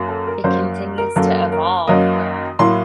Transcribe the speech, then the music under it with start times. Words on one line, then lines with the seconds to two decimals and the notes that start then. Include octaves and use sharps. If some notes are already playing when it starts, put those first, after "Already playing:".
it continues to evolve where
Already playing: F#2 F#3 A#3
0.08 A4
0.27 A#4
0.44 F#2 F#3 A#3 C5
0.98 A#4
1.16 F#2 F#3 A#3 A4
1.52 A#4
1.87 F#2 F#3 A#3 D#5
2.59 A2 F#3 A#3 C6